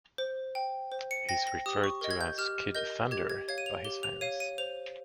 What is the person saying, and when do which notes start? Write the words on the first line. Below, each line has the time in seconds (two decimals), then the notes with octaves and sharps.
He is referred to as "Kid Thunder" by his fans.
0.18 C5
0.55 G5
0.92 C5
1.11 C#7
1.29 G5 A#6
1.47 A#6
1.66 G4 D#6
1.84 C#6
2.01 A#4 D#5
2.11 G#6
2.21 G6
2.38 G4 F6
2.75 A#4 D#5 G6
3.11 G4 G#6
3.30 G#6
3.48 C#5 F5 G#6
3.58 D#7
3.66 F7
3.85 G4 G7
4.03 F7
4.21 C#5 F5 D#7
4.40 D#7
4.58 C5 F7